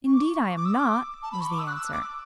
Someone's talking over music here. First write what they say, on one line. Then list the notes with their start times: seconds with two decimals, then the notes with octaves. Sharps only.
"Indeed I am not," was the answer.
0.07 C#6
0.14 D6
0.23 C#6
0.57 D6
0.65 E6
0.73 D6
1.23 A5
1.32 B5
1.41 C#6
1.50 D6
1.59 E6
1.67 F#6
1.76 E6
1.93 D6